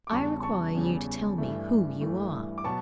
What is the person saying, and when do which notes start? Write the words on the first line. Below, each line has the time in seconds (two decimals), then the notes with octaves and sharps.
I require you to tell me who you are.'
0.07 D6
0.11 E2 C#3 G3 A5 C#6
0.43 A5 C#6
0.75 E2 C#3 G3
1.38 G2 E3 A3
2.01 G2 E3 A3
2.58 D6
2.64 B2 F#3 B3 A5 C#6